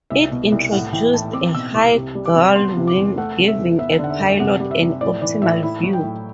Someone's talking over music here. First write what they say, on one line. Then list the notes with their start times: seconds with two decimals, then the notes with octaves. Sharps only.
It introduced a high gull wing, giving a pilot an optimal view.
0.10 C2 E5
0.31 B2
0.52 C2
0.72 A2 F#5
0.92 E3 G5
1.13 A2 A5
1.33 C4 D6
1.54 B2 E6
1.75 C2 D6
1.95 C3
2.15 G3
2.26 D6
2.36 C3
2.56 B3 C6
2.77 C3
2.87 D6
2.97 E2
3.18 A3 F#5
3.38 C3
3.48 E5
3.58 E2
3.78 B3 E5
3.99 D3 F#5
4.10 E5
4.20 F#2
4.40 C3 F#5
4.60 G3
4.71 E5
4.81 C3
5.01 A2 D5
5.22 E3 D5
5.42 A2 E5
5.63 E4 E5
5.83 F#3
5.93 G5
6.03 A2